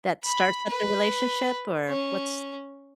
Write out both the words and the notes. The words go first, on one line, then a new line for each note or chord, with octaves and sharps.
that starts up the relationship, or, what's
B5
B4
C#4